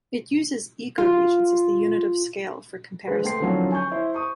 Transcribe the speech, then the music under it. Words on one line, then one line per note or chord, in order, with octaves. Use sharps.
It uses ecoregions as the unit of scale for comparison.
F4
D3 G#3 B4 C5
A3 B3 G5 C6 C7
D3 D#3 F3 F#3 C4 C#4
G#5 C#6 G6
E4 C5
C#6 D#6